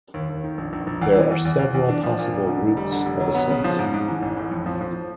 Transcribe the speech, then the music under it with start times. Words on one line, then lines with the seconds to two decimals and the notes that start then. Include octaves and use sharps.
There are several possible routes of ascent.
0.14 D#2
0.29 D#2
0.44 D#3
0.58 A#1
0.73 A#1
0.87 A#1
1.01 E2
1.16 E3
1.31 E2
1.45 E2
1.59 E2
1.74 E2
1.89 D4
2.03 F3
2.18 A#2
2.33 F1
2.47 D3
2.62 F1
2.77 G3
2.91 D3
3.06 F1
3.20 F#3
3.35 B3
3.50 C#3
3.64 F3
3.79 G#2
3.93 G#2
4.08 E3
4.22 A1
4.37 A2
4.51 F2
4.66 F3
4.81 F3